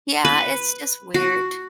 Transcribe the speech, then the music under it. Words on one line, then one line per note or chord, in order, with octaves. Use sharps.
Yeah, it's just weird,
B4
F#4